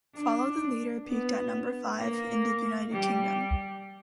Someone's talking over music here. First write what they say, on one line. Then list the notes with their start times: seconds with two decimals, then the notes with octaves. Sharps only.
"Follow the Leader" peaked at number five in the United Kingdom.
0.15 D4
1.08 B3
2.00 A#3
2.92 G3